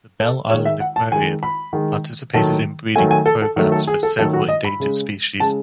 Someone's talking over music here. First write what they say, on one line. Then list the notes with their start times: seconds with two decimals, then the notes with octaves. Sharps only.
The Belle Isle Aquarium participated in breeding programs for several endangered species.
0.20 A4
0.50 D#3 G#3 C#5
0.65 E5
0.80 F#5
0.96 A5
1.12 D#3 G#3 G#5
1.43 B5
1.73 D#3 G#3
2.34 D#3 F#3 A3 A5
2.96 D#3 F#3 A3 G#5
3.11 G#5
3.26 A4
3.42 A4
3.56 D#3 F#3 A3
3.72 A4
3.87 G#4
4.03 A4
4.19 D#3 F#3 A3 A4
4.33 F#4
4.49 D#5
4.65 B5
4.80 C#3 G#3
5.40 C#3 G#3 A5